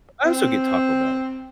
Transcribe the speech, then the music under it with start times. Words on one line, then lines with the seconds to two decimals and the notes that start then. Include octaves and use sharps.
I also get Taco Bell.
0.25 C4